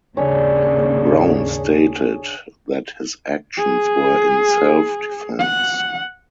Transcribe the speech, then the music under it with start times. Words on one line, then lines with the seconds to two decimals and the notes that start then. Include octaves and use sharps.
Brown stated that his actions were in self-defense.
0.17 D#2 G#2 C#3 D4 G#4 C#5
3.58 G#4
5.40 F#5